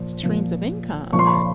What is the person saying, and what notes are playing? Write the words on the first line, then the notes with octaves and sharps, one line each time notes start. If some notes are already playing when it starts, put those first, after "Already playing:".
streams of income,
Already playing: A#2 F3
A#2 F3
A#2 F3 C#6
C6
B5 C#6